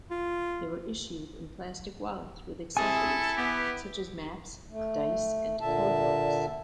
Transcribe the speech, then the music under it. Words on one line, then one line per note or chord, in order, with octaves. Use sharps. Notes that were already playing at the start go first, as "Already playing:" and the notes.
They were issued in plastic wallets with accessories such as maps, dice and codebooks.
F4
C3 E4 G#4 A4 E5 G#5
B3 G4
A3
A#2 D3 E5 A5